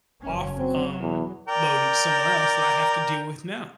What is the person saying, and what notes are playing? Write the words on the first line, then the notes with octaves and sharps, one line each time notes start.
off, um, loaded somewhere else that I have to deal with now.
F#1 C#4
F#3 C4
E2
A#4 D5 G5